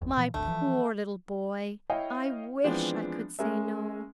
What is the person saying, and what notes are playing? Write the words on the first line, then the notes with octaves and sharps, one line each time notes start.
"My poor little boy, I wish I could say no."
G1 E2
A#2 E3 F3
G#1 D2 D3 A3
E3 F3
E4 C#5 D#5 F5 G5
E3 F3 G#3 B3 C4 D4
G#3 C#4 A#4 E5